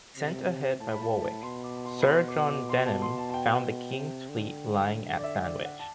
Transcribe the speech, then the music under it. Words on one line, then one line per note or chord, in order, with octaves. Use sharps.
Sent ahead by Warwick, Sir John Denham found the king's fleet lying at Sandwich.
C3
A2 A5
B5
A5
A5
B2 C6
D6
C6
B5
C6
D6
D6
C6
A5
C6
A5
A5
G5
C3
D3
D5
E5
E5
D5
F#5
A5